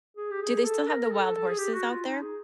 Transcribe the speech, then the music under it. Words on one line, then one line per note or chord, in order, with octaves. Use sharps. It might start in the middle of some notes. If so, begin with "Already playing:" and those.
do they still have the wild horses out there?
G#4
G4
G#4
A4
A#4
A4
A4
G#4
G4
F#4
F4
D#4
G#4